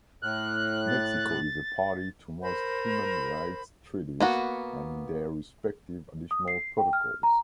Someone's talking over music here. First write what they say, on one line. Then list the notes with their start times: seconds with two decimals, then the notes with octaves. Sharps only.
Mexico is a party to most human rights treaties and their respective additional protocols.
0.23 A2 F6 F#6
0.87 A6
2.41 A#4 C5 B5
4.20 A#3 B3 F#4
6.31 D#6
6.48 C7
6.78 G5
6.93 F6
7.23 A#5